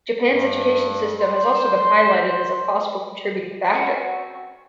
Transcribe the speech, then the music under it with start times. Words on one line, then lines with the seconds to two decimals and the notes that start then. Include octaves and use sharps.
Japan's education system has also been highlighted as a possible contributing factor.
0.33 G2
1.19 C5
3.72 C4 C#4 F#4